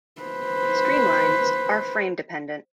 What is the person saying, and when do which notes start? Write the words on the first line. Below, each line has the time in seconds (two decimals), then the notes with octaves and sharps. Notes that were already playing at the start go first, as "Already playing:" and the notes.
Streamlines are frame-dependent.
0.22 B4 C5